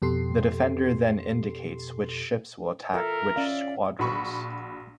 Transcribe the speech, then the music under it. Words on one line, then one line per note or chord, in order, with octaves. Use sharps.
The defender then indicates which ships will attack which squadrons.
F2 B2 G4 A4 C6 C7
F4 A4 A#4 E5
C#4 D5 E5 F5
A#1 F#4 B5 C#6